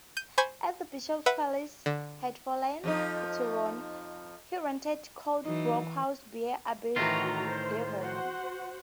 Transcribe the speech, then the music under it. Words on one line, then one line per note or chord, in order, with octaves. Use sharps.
As the bishop's palace had fallen to ruin, he rented Coldbrook House bear Abergavenny.
G6 D#7
C5 G#5 B5 C#6 G6 G#6
B4 E5 F#5
D3
F2 F3 D#4
E3 F#3 D#4
A2 D#3 E3 F4 F#4 A#5
C5
F#4 C5 F#5